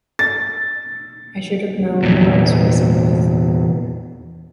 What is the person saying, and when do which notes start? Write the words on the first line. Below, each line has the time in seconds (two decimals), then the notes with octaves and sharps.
I should have known who I was racing with.
0.19 A6
2.03 E2 A#2